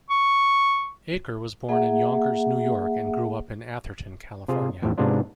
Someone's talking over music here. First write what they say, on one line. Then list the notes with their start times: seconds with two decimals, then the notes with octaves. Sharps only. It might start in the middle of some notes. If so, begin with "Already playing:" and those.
Aker was born in Yonkers, New York and grew up in Atherton, California.
0.10 C#6
1.69 A#3 G#4 E5 F#5
4.48 C3 F4 G#4 C5
4.82 E2 A2 F3 G4 E5
4.98 G#2 C3 G#3 B3 D4 F4